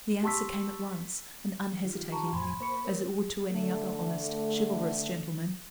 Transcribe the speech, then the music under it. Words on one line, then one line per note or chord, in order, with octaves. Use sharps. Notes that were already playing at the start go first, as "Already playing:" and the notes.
The answer came at once and unhesitatingly, as it would to any other honest, chivalrous gentleman.
G4 A5 C6 C#6 E6 B6
D#3 F4 G4
A5 A#5 C#6
F2 A2 G5 G#5 B5 C6
A#3 C5 B5 C#6 C#7
A#4 C#5
D3 A3